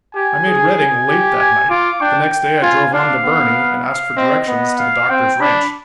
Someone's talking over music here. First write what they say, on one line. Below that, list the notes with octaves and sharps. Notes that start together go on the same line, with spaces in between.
I made Redding late that night; the next day I drove on to Burney and asked for directions to the Doctor's ranch.
G4 G#5
G#4
G#5
G4
G#5
F4 D6
D4 G5
G5
F4 G#5
D4 F5
B3
F5
C4 D#5
B3
F5
C4 G5
D4 B5